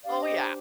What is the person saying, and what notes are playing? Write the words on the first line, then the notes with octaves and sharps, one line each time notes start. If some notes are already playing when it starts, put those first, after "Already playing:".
Oh, yeah.
D4 G4 C5 D5 F5
D#5